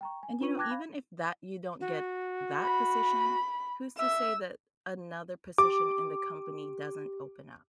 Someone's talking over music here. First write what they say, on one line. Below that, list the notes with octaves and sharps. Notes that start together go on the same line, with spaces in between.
and you know, even if that you don't get that position, who's to say that another position in the company doesn't open up?
G5 A#5 C#6
G#5
D4 F4 B4 C#6 D#7
G5 A5 D6 F#6 G#6 A#6
F5 B5
F#4
B5
E5 E6
G4 D6